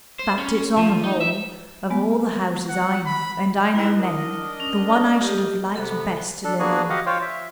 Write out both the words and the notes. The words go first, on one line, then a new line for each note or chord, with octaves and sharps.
But it's on the whole, of all the houses I know, and I know many, the one I should have liked best to live in.
C5
C#4
F3
D#4
E5
G#3 B3
F#5
B5
D#3 D#4 E4 B4 E6
D4 A#4 D#5
C#4
G4
C3 B3 A4 B5
D4 A4
A#3 B3 D4 F#4 G#4 G#5
F#4 G4 D#5 F5 F#5
F4 C5 C#5 F5 G5
E5